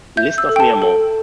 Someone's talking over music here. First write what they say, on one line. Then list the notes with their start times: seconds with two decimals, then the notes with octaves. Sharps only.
List of Mirmo!
0.17 E5 G6
0.38 E6
0.49 A4
0.56 G5
0.60 A5
0.82 A4